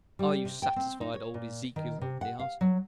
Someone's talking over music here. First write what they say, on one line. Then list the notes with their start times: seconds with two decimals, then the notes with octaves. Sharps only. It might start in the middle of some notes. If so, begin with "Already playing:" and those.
"Are you satisfied, old Ezekiel?" he asked.
0.19 G3
0.45 C3
0.62 G5
0.76 C4
1.01 D#4
1.14 C#5
1.34 A#2
1.76 D#3
2.01 C3
2.21 F#5
2.39 F5
2.61 F#3